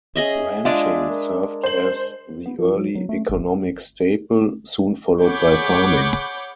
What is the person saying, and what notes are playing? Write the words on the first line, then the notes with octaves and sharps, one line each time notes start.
Ranching served as the early economic staple, soon followed by farming.
C#4 G#4 D#5 E5
G#3 D4 F4 G#4 E5
A#4
C5 F#7
B3
F3
F#3
F#3
A3
G#1
G#4 C#5 F#5 B5 D6 G6